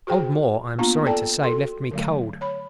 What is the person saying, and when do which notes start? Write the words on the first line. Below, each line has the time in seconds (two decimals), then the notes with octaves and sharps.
Old Moore, I am sorry to say, left me cold.
0.07 F#4 G#4 C5 G5
0.78 A#3 B3 D4 F4 A#5
1.05 A4 D5 G5 A5
1.43 F#4 A4 C6
1.91 D3 F#3 A3
2.41 C#5 B5